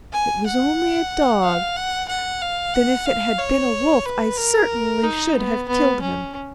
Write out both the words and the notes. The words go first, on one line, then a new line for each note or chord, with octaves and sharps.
'It was only a dog, then if it had been a wolf I certainly should have killed him....'
G#5
F#5
F5
F#5
F#5
F5
F#5
F5
C#5
B4
A#4
D#4
B3
B3
C#4